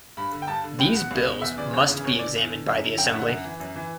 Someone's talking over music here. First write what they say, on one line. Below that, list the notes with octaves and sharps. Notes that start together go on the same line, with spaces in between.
These bills must be examined by the Assembly.
G2 B5
D3
G5
G2 A5
D3
C#2 G5
B2 F#5
C#2
B2
E2 E5
C#3 E3 D5
E2 C#5
C#3 E3
E2 C#5
D3 D5
E2
D3
F#2
D3
F#2 G5
F#5
D3 E5
F#5
F#2
E3
F#2
E3